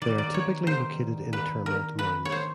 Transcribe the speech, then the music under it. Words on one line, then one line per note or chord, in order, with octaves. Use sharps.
They are typically located in termite mounds.
D#3 G3 B3 D5
D5
C#5
C5
B4
A#4
B4
C#5
C5